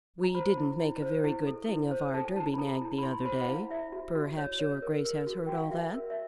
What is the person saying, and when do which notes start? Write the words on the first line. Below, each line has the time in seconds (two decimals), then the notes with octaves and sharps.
"We didn't make a very good thing of our Derby nag the other day. Perhaps your Grace has heard all that?"
0.24 A#5
0.35 C5 B5
0.57 E4
0.80 E4
1.02 C5
1.24 E4
1.47 A4
1.69 E4
1.91 C5
2.14 A4 A5
2.25 G#5
2.36 E4 A5
2.54 B5
2.58 A4 A#5
2.81 E4
2.98 B5
3.03 E4 C6
3.25 C5 B5
3.41 F#5
3.48 E4 F5
3.70 E4 E5
3.92 F#4
4.15 F#4
4.37 C#5
4.59 C#5
4.82 A#4
5.05 A#4
5.27 F#4
5.47 F#4 G5
5.55 F#5
5.64 F5
5.71 F#4 E5
5.94 A#4
6.10 E5